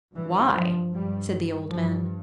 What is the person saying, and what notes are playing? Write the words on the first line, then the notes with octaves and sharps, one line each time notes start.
"Why?" said the old man.
G2 E3
F3
G2 G3
G2 F3